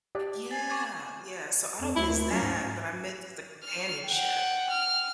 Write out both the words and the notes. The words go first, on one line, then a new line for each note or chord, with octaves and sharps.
yeah, yeah. So, I don't miss that, but I miss the companionship
G4 D5
G#5 A6
C#6 D6 G#6
F2
D2 E4
A#2
F#3 C#4
G#2
F6
F#5 G5
F6